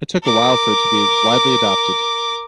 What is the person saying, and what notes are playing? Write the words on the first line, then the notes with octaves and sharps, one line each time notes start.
It took a while for it to be widely adopted.
A#4 D6